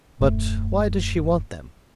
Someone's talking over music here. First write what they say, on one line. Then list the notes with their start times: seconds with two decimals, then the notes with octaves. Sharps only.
"But why does she want them?"
0.21 D#1 F#2 A3